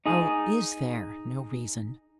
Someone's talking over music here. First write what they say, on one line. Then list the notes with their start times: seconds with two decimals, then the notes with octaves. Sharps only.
"Oh, IS there no reason?"
0.06 D#4 G#4